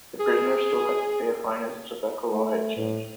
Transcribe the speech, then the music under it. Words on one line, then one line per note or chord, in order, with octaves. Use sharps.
The prisoners still had to pay a fine as the tobacco law had changed.
G#4
A3
A2